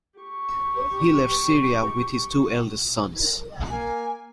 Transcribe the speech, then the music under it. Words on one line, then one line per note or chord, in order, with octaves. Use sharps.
He left Syria with his two eldest sons.
G4 C#6
A#3 G#5